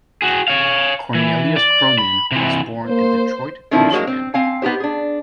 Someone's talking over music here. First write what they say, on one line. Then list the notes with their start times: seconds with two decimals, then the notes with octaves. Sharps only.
Cornelius Cronin was born in Detroit, Michigan.
0.22 F#4 G#4
0.48 C#5 F5
1.15 E3
1.56 D5
1.98 B5
2.32 C3 E3
2.87 A#3 C5
3.71 D3 D#3 F3 C4 E4
3.91 F#3 G#3 A#3 F#4
4.07 C4
4.34 C4 F5 G#5
4.62 B3 D#4 G4 C5
4.80 D4 G#4